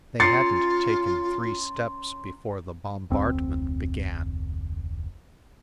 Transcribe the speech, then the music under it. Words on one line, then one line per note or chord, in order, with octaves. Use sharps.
They hadn't taken three steps before the bombardment began.
C#4 F4 C#5 A#5 C6 A6 C7 C#7
F1 D2 C4